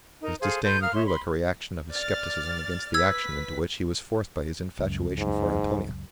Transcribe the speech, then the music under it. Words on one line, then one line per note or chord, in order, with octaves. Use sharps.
His disdain grew like a reaction of his scepticism against the action into which he was forced by his infatuation for Antonia.
D#4 A#4
G#4 A4 C5 F5
A4 B4 C6 G6
A#4 F5 D#6 F6
C#5 E5 C6
B5 C6
D5 F6 A6
B4 E6 G#6 B6
C#2 F#2
G#2